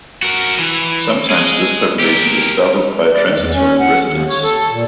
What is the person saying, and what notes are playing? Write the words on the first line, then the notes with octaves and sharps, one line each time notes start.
Sometimes this population is doubled by transitory residents.
F#4 A#4
E3
G#4 D#5
G4 A#4
D5
D#3
E2
C#4
F#5
D#2
C#5
A4
A#2